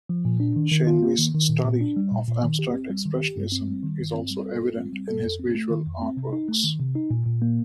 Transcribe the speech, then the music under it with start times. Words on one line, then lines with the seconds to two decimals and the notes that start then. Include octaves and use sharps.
Shen Wei's study of abstract expressionism is also evident in his visual artworks.
0.09 F3
0.25 A#2
0.40 D4
0.56 D#3
0.72 D#3
0.87 F4
1.02 A#3
1.18 D#3
1.34 D#3
1.49 A#2
1.65 A#2
1.81 D4
1.96 G3
2.11 A#2
2.28 A#2
2.43 D#3
2.59 G4
2.74 C4
2.90 G3
3.05 D#3
3.21 G4
3.36 G2
3.52 C4
3.68 G3
3.83 D#3
3.99 G2
4.14 C4
4.30 G3
4.46 A4
4.61 F4
4.77 C4
4.93 G3
5.08 A4
5.24 F2
5.39 C4
5.55 A3
5.70 D#3
5.86 F2
6.02 C4
6.17 C3
6.33 D#4
6.49 A3
6.64 D#3
6.80 C3
6.95 D#4
7.10 A#2
7.26 A#2
7.42 A#3